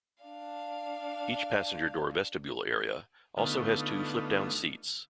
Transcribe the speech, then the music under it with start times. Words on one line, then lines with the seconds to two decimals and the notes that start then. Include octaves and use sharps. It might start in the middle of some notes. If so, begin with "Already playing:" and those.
Each passenger door vestibule area also has two flip-down seats.
0.23 D4 F5
3.37 D3 A3 B3 D#4 F4